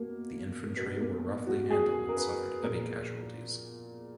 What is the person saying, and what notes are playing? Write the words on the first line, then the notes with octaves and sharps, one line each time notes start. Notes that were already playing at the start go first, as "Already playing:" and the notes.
The infantry were roughly handled and suffered heavy casualties.
Already playing: B2 A#3
B2 B3
A#3
F#4
G#4
A#4
B4
A#2 F3 A#4